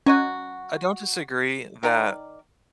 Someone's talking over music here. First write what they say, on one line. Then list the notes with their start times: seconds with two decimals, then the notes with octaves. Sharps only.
I don't disagree that
0.06 F#3 C#4 F#4 D#5
1.83 D#3 A#4 D5